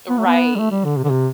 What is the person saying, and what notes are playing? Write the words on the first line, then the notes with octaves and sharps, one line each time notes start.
Right, eh
B3
A3
B3
G3
A3
G3
D3
C3
D3
C3